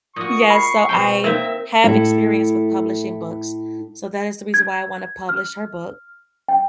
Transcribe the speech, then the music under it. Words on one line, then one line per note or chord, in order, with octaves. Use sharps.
yes, so I have experience with publishing books, so that is the reason why I wanna publish her book.
A#2 F#4 C#6 D#6
B5 C7
B2 C4 G5
A#3 C4 D#4 A#4 E5
A2 E4 A4
G#6
F6
G5